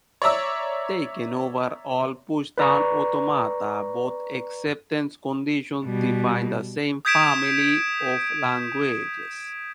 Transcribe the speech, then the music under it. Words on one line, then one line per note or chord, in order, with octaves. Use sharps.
Taken over all pushdown automata both acceptance conditions define the same family of languages.
C#5 D5 E5 A#5 E6
B4 D5 A#5 C#6
B2 G3
D#6 G6 G#6 B6 D7 E7